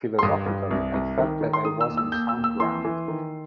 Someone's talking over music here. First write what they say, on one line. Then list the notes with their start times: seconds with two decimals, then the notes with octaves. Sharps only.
Philosophically I felt that I was on sound ground.
0.19 C6
0.23 G2 D#6
0.46 G2
0.71 C2
0.94 C2
1.18 D#3
1.41 D#3
1.53 C6
1.65 D#3 D#6
1.81 E6
1.89 D#2
1.97 E6
2.12 D#2 G6
2.29 E6
2.37 D#2
2.44 E6
2.60 E3 C6
2.85 E3
3.08 D#3